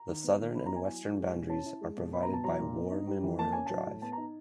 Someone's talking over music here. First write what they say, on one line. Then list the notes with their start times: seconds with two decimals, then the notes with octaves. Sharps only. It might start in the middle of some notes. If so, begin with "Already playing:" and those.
The southern and western boundaries are provided by War Memorial Drive.
Already playing: A#5
0.08 D#3
0.24 B3
0.39 D#3
0.55 B3 B5
0.66 A#5
0.71 F#3
0.76 G#5
0.86 E4
1.02 F#3
1.19 G#3
1.33 B2
1.49 C#4 A5
1.65 E4
1.81 G#3
1.97 B2
2.13 B3 B5
2.23 A#5
2.29 B2 A5
2.44 F#3 A#5
2.59 A#2
2.76 B3
2.91 D#4
3.07 G3
3.23 E3
3.39 A#3 A5
3.52 C#4 G#5
3.66 F#3 A5
3.86 A2
4.02 B3 A5
4.12 A#5
4.17 D#4